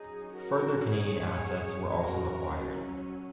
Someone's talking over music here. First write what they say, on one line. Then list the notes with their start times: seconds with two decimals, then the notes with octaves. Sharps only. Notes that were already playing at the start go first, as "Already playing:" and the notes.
Further Canadian assets were also acquired.
Already playing: F#3 C#4 D#4 G#4
0.34 F#4 A#4
0.88 G#4 C#5
1.97 F#3 C#4 F#4 A#4